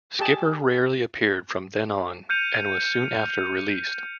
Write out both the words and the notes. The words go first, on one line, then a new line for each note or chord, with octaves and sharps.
Skipper rarely appeared from then on and was soon after released.
G4 G#4 A5
F6 G6 C#7 D#7 F7